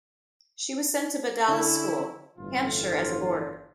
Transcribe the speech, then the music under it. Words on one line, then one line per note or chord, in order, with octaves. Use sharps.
She was sent to Bedales School, Hampshire as a boarder.
D3 C#4 E4
G1 A2 E3 F4